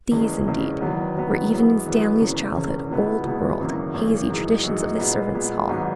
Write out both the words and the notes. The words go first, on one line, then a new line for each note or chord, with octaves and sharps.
These, indeed, were even in Stanley's childhood old-world, hazy, traditions of the servants' hall.
F#1 E2 C#3 G#3
F#1 E2 C#3 G#3
E2 D#3 F#3 B3
E2 D#3 F#3 B3
F#2 E3 G#3 B3
F#2 E3 G#3 B3
E1 E2 C#3
E1 E2 C#3
C#2 B2 G#3 B3 E4
C#2 B2 G#3 B3 E4
G#1 F#2 C#3 E3 A#3
G#1 F#2 C#3 E3 A#3
F#2 E3 G#3 D#4
F#2 E3 G#3 D#4
A#2 G#3 B3
A#2 G#3 B3
G#1 G#2 F#3 B3